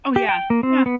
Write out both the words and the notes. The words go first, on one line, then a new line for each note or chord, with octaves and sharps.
Oh yeah, yeah.
G4
G5
A#3
C4
B3